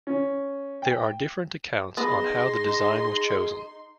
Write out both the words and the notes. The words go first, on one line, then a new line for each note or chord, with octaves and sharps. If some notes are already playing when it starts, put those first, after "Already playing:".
There are different accounts on how the design was chosen.
C#4
G5
B3 D#4 G#4 B4 C6 A#6